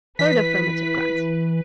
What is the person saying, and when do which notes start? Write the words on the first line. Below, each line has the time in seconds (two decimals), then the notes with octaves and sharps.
Third affirmative grunt.
0.19 E3 B4 B6